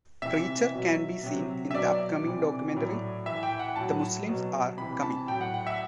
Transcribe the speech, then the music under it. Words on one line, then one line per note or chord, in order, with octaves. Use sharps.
Preacher can be seen in the upcoming documentary, The Muslims Are Coming!
C3 E3 E5
B2 F#3
C3 F#3
E5
B2 F#3 D5
C3 E3
A2 F#3
A2 E3 E5
G5
F#5
A2 F#3 A5
B2 F#3
C3 E3 B5
A5
A2 F#3 G5
F#5
F#5
E5